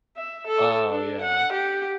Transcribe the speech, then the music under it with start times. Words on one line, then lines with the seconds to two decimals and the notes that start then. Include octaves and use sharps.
Oh, yeah.
0.17 E5
0.48 A4
0.90 D4
1.22 F#5
1.53 G4